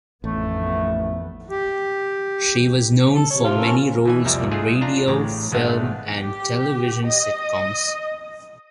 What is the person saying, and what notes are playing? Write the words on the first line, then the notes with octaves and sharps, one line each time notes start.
She was known for many roles on radio, film and television sitcoms.
A1 F2 D#3 A3 B3
G4
A4
C3 C#5
F4
C#4 A4 A#4
B2 E3 G#5
C2 F2 A#2 G3 E5 A#5
G#3 A3 F4 G#4
D4 F4 A#5
A1 A2 C#3 G4 A#5
G#1 G#3 A3 B3 D4 F5
G4
D#5